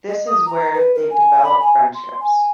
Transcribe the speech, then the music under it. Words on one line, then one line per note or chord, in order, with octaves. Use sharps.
This is where they develop friendships.
D#5
D#6
A#5
B4
A#4
G#5
B5
G#5
C6
G#5